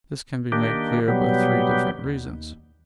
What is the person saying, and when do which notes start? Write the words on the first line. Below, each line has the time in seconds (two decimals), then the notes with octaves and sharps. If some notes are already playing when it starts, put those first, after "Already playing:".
This can be made clear by three different reasons.
0.52 D#3 A#3 D4 G4
1.08 B2 F#3 G3 B3 G4
2.04 D#2